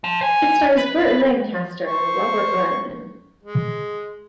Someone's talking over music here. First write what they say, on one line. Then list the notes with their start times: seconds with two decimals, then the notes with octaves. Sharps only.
It stars Burt Lancaster and Robert Ryan.
0.04 F3
0.21 C5 G#5
0.77 B4
1.86 C5 C#6
3.43 G#3